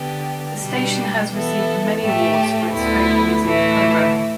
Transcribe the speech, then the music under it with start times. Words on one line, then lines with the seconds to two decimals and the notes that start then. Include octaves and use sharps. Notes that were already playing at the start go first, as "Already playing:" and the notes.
The station has received many awards for its folk music programming.
Already playing: D3 B3 G4
0.58 B2 G3 D4 G4
1.29 E3 B3 E4 A4
2.01 A2 A3 G4
2.72 D2 D3 B3 E4
3.43 A2 E3 A3 E4